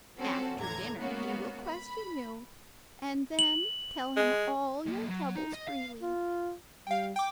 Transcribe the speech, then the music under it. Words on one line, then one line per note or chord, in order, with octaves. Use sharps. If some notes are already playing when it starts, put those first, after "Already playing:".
After dinner he will question you, and then tell him all your troubles freely.
F3 C4 C#4 F#4 A4
E2 A2 D3 A#5 G#6
G#3 A#3 B3 C#4 F#4
B5
F#7
G#3
B1 A#3
F#3
D#4
D#5
F5
F4
G3 F5 G5
G5 D6